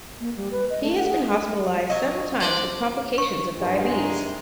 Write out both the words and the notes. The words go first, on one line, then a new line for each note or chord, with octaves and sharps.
He has been hospitalised several times with complications of diabetes.
A#3
G3
B4
D#5
A3
F#5
G#4
A3
F#3 D#5
D4 C5 D5
C#6
G2 C3 D#3 G#3